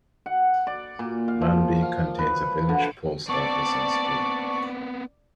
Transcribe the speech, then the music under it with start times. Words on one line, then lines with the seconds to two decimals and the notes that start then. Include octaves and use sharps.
Manby contains a village post office and school.
0.26 F#5
0.67 D5
0.99 A#2
1.28 F5
1.41 F3
1.82 F5
2.19 B4
2.69 D3
3.29 B3 C4 D5 A5 C#6